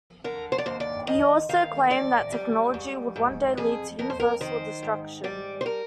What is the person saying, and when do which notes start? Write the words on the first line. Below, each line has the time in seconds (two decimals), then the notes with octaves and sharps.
He also claimed that technology would one day lead to universal destruction.
0.24 D3 A#4
0.52 C5
0.58 D5
0.66 D#2 C5
0.80 D5
1.07 D#3 D#5
1.49 D#3 F5
1.90 F2 D5
2.32 G3
2.74 G#2
3.16 G#2
3.57 F2 G#4
3.99 F2 A#4
4.10 C5
4.20 A#4
4.41 D#3 C5
4.83 G#2
5.24 G3 D5
5.61 C5
5.66 A#4